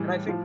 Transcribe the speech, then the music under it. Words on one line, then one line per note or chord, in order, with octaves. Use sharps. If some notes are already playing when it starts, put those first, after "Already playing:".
And I think
Already playing: A2 E3 G3 G#4
A2 F3